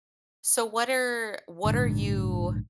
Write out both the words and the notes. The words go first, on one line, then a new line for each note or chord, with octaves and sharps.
So, what are what are you
A#1 G#2 D3